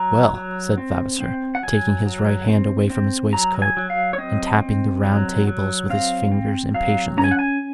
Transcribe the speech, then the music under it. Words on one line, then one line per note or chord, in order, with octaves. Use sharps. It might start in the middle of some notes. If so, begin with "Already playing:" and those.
"Well," said Vavasor, taking his right hand away from his waistcoat, and tapping the round table with his fingers impatiently.
Already playing: F#3 A#5
F#3
C4
C4
F#5
F#3 G#5
F#3
C4
C4
F#3 A#5
G#5
F#3
F5
C#5
C4 D#5
C4
F#3
F#3
C4 F5
C4
F#3 F5
C#4 A#5
G#5
F#5
G#5